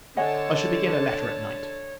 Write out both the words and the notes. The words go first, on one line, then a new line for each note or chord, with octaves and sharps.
I shall begin a letter at night.
D3 C#5 D#5 F#5 G#5 A5